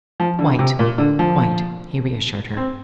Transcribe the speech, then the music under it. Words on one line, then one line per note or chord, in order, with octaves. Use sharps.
"Quite--quite," he reassured her.
F3
D3
C3
A#2
D3
F3
C4